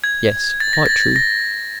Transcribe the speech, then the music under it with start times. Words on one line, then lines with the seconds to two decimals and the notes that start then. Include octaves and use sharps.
"Yes, quite true."
0.04 G#6
0.60 A6
0.73 A#6
0.86 A6
1.16 A#6